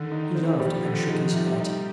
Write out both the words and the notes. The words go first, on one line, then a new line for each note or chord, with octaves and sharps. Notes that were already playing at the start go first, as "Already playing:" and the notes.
He laughed, and then shook his head.
Already playing: D3 D#3
D#4
C4
F3 G3
D3
D#4
C3 G3
D#4